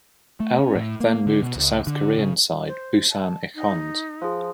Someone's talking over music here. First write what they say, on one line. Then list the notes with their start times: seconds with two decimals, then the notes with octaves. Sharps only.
Elrich then moved to South Korean side Busan I'cons.
0.40 A3
0.59 C#4
0.75 A2
1.00 A#3
1.27 D3
1.43 B2
1.56 C#2
1.87 D3
2.19 C#3
2.67 C5
3.10 A5
3.55 D#4
4.22 F3 F4 G#4